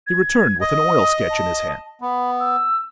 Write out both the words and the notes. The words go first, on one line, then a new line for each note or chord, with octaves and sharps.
He returned with an oil-sketch in his hand.
G#6
D#5 D#6
A5
B3 B5
E6